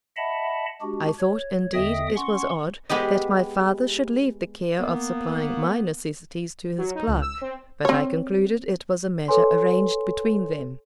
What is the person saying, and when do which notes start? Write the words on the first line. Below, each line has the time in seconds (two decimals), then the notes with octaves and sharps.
I thought, indeed, it was odd that my father should leave the care of supplying my necessities to his clerk; but I concluded it was a matter arranged between them.
0.17 D#5 E5 F#5 A5 B5
0.81 G#3 D4 F#4 G4
1.19 C#5
1.74 E2 D3 D#5 E5 G5 D#6
2.16 C#4 F#5 C6 C#6
2.89 G#3 B3 G4 D#5
4.79 A#3 B3
6.78 F#3
6.95 D#4
7.08 C#2
7.22 E6
7.41 C4
7.85 C4 C#5
9.28 A4 B4 C#5 G#5 C6